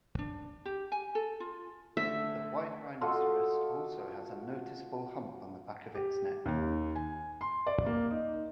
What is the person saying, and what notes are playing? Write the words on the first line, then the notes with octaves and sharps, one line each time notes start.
The white rhinoceros also has a noticeable hump on the back of its neck.
D4
G4
G#5
A4
F4
D3 A3 E5
F4 F#4 A4 D#5
G4
D#2
G#5
C6
D5
A#3
D#4